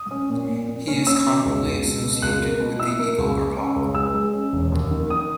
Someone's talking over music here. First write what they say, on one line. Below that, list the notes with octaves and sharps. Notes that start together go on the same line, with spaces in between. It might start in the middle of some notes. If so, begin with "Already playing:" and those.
He is commonly associated with the eagle or hawk.
Already playing: D#6
C#4
A#2
A#2
A#2
C#4
C#4 E6
B2
C#2
C#2
B2
B2
C#2 F#6
A#3
B2
E4 E6
A#3
C#2
G#3
C#4
C#2
G#3 E6
G#3
C#4
E1
D#2
D#3
D#3 D#6